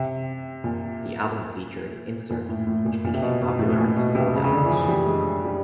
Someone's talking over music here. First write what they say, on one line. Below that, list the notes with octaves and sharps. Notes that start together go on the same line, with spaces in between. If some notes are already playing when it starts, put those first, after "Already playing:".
The album featured an insert which became popular as a fold-out poster.
Already playing: C3
A#2
A#2
A2
A2
A#2
A#2
C3
B2
B2
A2
A#2
B2
C3
C#3
C#3
D3
E3
F3
G3
G#3
G3